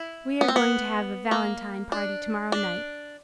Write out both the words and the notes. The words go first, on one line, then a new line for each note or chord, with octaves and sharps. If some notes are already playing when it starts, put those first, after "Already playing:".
We are going to have a valentine party to-morrow night.
Already playing: E4
B3
C4
B3
A#3
D4
D4